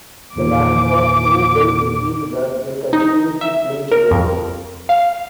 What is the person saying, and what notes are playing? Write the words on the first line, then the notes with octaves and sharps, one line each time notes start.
The band was so well received that they continued to play together.
E2 A#2 D#3 D6
D#4
E5
A#4
F2
F5